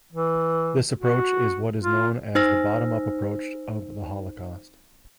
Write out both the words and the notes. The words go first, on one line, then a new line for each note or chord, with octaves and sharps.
This approach is what is known as the bottom-up approach of the Holocaust.
E3
F#4
F4
D#4 C5 E6 A#6